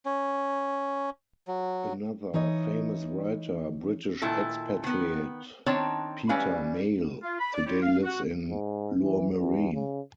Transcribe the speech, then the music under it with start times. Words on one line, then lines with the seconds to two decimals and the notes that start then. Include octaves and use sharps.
Another famous writer, British expatriate Peter Mayle today lives in Lourmarin.
0.05 C#4
1.47 F#3
2.34 E3 D#4 C#5 D#5
4.22 A#2 D#3 E4 A4
4.84 D#3 B3
5.66 D#3 C4 D4 C#5 A5 A#5
6.29 E3 G3 C#4 B4 F5
7.22 F4
7.39 B5
7.54 D5
7.66 E4 F4 G4 C#5 D5
7.83 F5
8.03 F#4
8.50 G#2
9.01 E3
9.37 E2
9.74 C#3